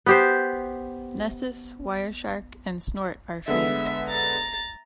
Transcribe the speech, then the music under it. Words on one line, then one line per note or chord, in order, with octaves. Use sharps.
Nessus, Wireshark, and Snort are free.
B3 G4 C5
D3 G#3 B3 E5
A#5 A6